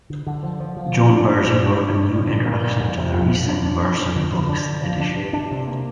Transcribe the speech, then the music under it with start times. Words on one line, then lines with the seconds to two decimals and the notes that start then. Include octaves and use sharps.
John Berger wrote a new introduction to the recent Verso Books edition.
0.10 D3
0.27 D3
0.43 F3
0.60 F3
0.77 F3
0.94 A#2
1.11 D4
1.27 D4
1.44 A#2
1.61 D4
1.78 D4
1.95 D4
2.13 D4
2.29 A#2
2.45 A#2
2.63 A#2
2.80 F2
2.97 C3
3.14 F2
3.31 F2
3.48 D4
3.64 D4
3.81 D4
3.98 G2
4.16 D3
4.32 D3
4.49 D4
4.65 D3
4.83 F3
5.00 D4
5.16 G2
5.33 D4
5.51 C3
5.67 A#3